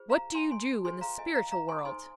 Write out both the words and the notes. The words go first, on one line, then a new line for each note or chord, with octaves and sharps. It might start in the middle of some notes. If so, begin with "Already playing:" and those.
"What do you do in the spiritual world?"
Already playing: F4 G#4 C5
F5 A#5
G#5 C6
G#5 C6
F4 G#4 C5 G#5 C6
F5 A#5
D#5 G#5
F5 A#5
F5 A#5
G#5 C6
D#6
D#4 C5 G#5 C6